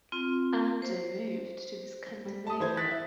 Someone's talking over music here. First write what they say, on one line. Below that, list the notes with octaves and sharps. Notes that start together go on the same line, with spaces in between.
Andy moved to Scandinavia.
C4 F4
C5
G3
A5 D#6
E3 C5 G#6
F#6 A6 B6
E5